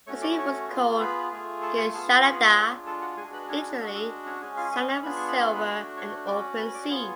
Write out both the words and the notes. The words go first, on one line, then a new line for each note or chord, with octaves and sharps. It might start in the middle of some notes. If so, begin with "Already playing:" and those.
The scene was called "ginshanada", literally "sand of silver and open sea".
A3 C#4 F#4 C#5 C#6
D5 D6
C#5 C#6
B3 F4 G#4
B4 B5
A3 F4 G#4
A4 A5
G#4 G#5
B3 F4 G#4 A4 A5
B4 B5
G#3 D4 F4 C#5 C#6
A4 A5
F#4 F#5
G#3 D4 F#4 G#4 G#5
B4 B5
C#4 C#5
G#3 D4 F#4 A4
A4
C#4 C#5
G#3 C#4 G#4
F4 F5
G#4 G#5
C#5 C#6
B3 D4 F4 G#4 B5
C#6
B5
C#6
B4 B5
A3 D4 F#4
C#5 C#6
C#4 F#4 D5 D6
B4 B5
D5 D6
B3 F4 G#4 C#5 C#6